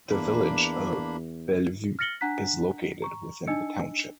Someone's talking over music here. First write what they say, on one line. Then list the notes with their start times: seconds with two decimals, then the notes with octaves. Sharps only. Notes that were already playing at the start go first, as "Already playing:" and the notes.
The Village of Bellevue is located within the township.
0.10 E2 A#3 D4 B5
1.99 F6 A6 A#6 C#7 F#7 G7
2.21 D4 F#5 A#5 F#6 B6
3.02 A#5 C#6
3.47 D4 D#4 D#5 E6 C#7